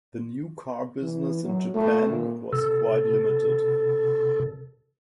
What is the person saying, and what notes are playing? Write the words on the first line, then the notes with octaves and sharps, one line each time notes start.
The new car business in Japan was quite limited.
E3
F#3
A3
A#2
C3 A4